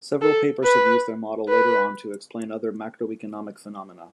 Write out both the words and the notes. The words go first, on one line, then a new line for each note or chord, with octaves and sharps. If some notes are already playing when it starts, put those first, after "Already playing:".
Several papers have used their model later on to explain other macroeconomic phenomena.
A4
B4
B4